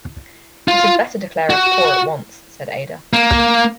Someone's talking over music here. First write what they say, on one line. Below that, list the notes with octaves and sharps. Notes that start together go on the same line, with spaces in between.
"It had better declare us poor at once," said Ada.
F4
F#4
A#3